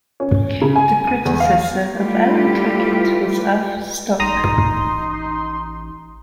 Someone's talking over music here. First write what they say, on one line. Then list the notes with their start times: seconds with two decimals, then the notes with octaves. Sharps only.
The predecessor of Alan Tuckett was Arthur Stock.
0.20 C#4
0.62 C#3
0.76 G#5
1.07 D#7
1.25 E2
1.40 F5
1.96 G3 A3 E4 F4 G4 B4
4.20 A1 D#4 A#5 C6 D#6